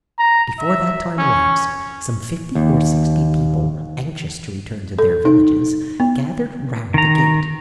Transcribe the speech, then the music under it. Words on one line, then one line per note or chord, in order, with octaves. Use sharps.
Before that time elapsed some fifty or sixty people, anxious to return to their villages, gathered round the gate.
A#5
E5
C#4
D#2
A4
D#4
B3
D#3 A#5